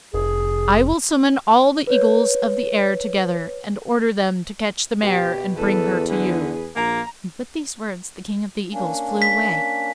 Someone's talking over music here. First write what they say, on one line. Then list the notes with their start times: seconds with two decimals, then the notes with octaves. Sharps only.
I will summon all the eagles of the air together, and order them to catch the mare and bring her to you.' And with these words the King of the Eagles flew away.
0.14 F1 G#4
1.87 B4 C#5
5.02 B2 G4
5.56 E2 A4 B4
6.10 D3 G#4 B4
6.76 A#1 A#3 A#5
8.72 A#3 C#4 D4
9.22 B6